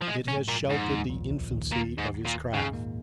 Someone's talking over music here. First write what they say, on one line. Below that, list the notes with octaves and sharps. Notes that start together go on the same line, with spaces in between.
It has sheltered the infancy of his craft.
F3
A#2 G#3 A#3
F3 C#4
G#2 G#3
A#2
F2 F3
G#2
D#2 D#3
A#1 A#2
C#2 C#3
D#2 D#3
A#2
G#2
A#2
G#2 C#3 G#3
A#2 A#3